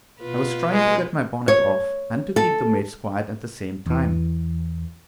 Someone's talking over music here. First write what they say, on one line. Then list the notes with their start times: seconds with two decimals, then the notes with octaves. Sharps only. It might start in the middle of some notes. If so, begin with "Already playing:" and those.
I was trying to get my bonnet off and to keep the maids quiet at the same time.
0.22 B2 F4 B4
0.73 G#3
1.48 C#5
2.36 A4
3.86 E2 E3